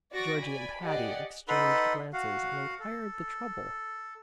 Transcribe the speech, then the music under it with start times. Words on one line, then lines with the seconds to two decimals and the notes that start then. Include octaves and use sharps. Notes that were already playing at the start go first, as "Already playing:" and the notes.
Georgie and Patty exchanged glances and inquired the trouble.
0.12 F#4 D5 C#6 A#6 D7
0.41 D5 G#5 B5
0.82 G4 G#4 D5 D#5 F#5
1.48 D#4 A4 B4 F#5 B5 C6
2.13 F#4 F5 F#5
2.80 A4